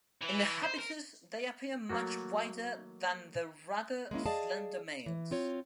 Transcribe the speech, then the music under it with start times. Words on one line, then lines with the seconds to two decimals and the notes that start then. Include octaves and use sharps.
In the habitus they appear much wider than the rather slender males.
0.21 E3
0.63 C5
0.79 A#4
1.89 F#3 A3 A#3 F#4
4.11 G#3 A#3 C#4 E4
4.26 G#4 D5 D#5 F5 A5
5.06 E3
5.31 C4 F4 C#5